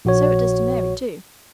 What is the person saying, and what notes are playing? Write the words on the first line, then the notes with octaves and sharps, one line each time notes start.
So it does to Mary, too.
A#1 F#4 C#5